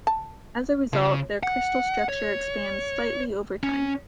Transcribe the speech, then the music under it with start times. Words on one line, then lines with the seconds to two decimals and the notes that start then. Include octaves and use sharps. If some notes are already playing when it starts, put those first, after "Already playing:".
As a result, their crystal structure expands slightly over time.
0.07 A5
0.93 C#3 F3
1.43 F#5
2.09 C#5
3.63 C#4